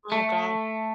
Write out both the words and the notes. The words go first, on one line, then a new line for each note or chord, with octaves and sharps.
Oh god.
A3